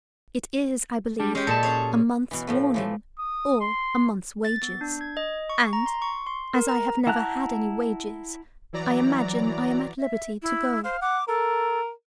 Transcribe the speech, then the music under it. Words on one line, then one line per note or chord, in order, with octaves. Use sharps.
It is, I believe, a month's warning or a month's wages; and, as I have never had any wages, I imagine I am at liberty to go.
G3 D4
G#3 C#4 G4
A#2 A4 A5
C#4 G#4 C#5
B2 E3
A2 F3 A3
E3 F3 A3
D#6
C6
A6
B3
D4
G#6
D#5
C#6
A#5
C6
C#6
C6
A#4
A#5
E4 F#5 A5 A#5 F#6
E3 F#3 D5 A#5
E5
E4
C5 F5
F#5 D6
A4 A#4